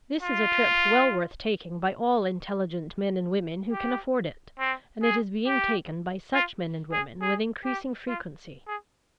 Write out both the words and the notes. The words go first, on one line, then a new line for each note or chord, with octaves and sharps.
This is a trip well worth taking by all intelligent men and women who can afford it; and it is being taken by such men and women with increasing frequency.
F4
G4
C4
G#4
G4
F4
G#4
G#4
G4
F4
G#4